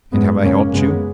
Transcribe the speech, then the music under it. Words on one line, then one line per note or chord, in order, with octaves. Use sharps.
"And have I helped you?"
G#2 G#3 B3
F#2 C#3 A#3 C#4
F#2 C#3 G#3 B3